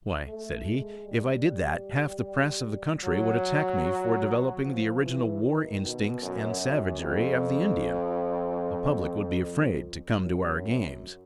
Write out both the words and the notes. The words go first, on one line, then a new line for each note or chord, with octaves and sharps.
"Why," said he, "if I did that, half the press of the country would attack me for developing the original war instincts and savagery of the Indian! The public would be afraid to come to our games!"
A3
G#3
G3
F#3
F3
E3
D#3
B2
F#2
F#2
F2
F#2